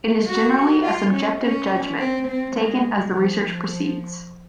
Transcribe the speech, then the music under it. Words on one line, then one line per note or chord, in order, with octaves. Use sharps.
It is generally a subjective judgment, taken as the research proceeds.
F#4
F4
C#4
C#4
C4
C4
G#3
F3
F3